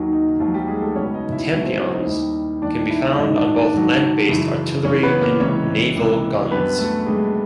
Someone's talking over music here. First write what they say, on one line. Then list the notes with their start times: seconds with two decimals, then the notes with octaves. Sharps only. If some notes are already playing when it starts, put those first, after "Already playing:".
Tampions can be found on both land-based artillery and naval guns.
Already playing: D#2 D#3 F#3 D#4
0.13 D#4
0.40 D#2 D#3 F3 F#3 F4
0.54 G3 G4
0.68 G#3 G#4
0.82 A3 A4
0.96 C#2 B2 F#3 C#4 C#5
1.14 D#4 D#5
1.32 E4 E5
1.51 C#2 B2 F#3 E4 E5
1.65 C4 C5
1.79 C#4 C#5
1.93 D#4 D#5
2.07 D#2 D#3 G3
2.62 D#2 D#3 G3 D4 D5
2.90 E4 E5
3.18 G#2 D#3 F#3 D#4 D#5
3.36 D4 D5
3.55 D4 D5
3.73 G#2 D#3 F#3
4.29 F#2 C#3 E3
4.84 F#2 C#3 E3 C#4 C#5
5.03 B3 B4
5.21 A#3 A#4
5.40 C#2 C3 E3 C#4 C#5
5.96 C#2 C3 E3
6.51 F#2 D3 G3 B3 B4
6.79 A3 A4
7.06 F#2 D3 G3 G#3 G#4